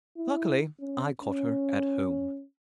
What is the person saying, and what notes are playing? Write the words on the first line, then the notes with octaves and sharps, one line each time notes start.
Luckily, I caught her at home.
E4
C#4
C#4